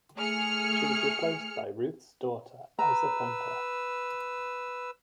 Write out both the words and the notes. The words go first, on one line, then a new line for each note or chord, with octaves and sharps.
She was replaced by Ruth's daughter Issa Pointer.
A3 G#4 F6 C#7
B4 A#5 E6